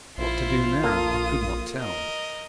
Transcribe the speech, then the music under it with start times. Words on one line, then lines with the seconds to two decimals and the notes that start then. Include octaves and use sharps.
What to do now, I could not tell.
0.18 A#1 E4 F4 C5
0.84 A#3 A4 A5 D#6
1.80 A#4 D#5